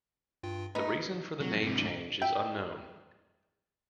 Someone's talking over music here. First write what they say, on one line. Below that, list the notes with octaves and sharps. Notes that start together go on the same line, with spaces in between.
The reason for the name change is unknown.
G2 F4 G5
A3 D#4 B4
F1 F#3
G#2 C3
D2
E5 G5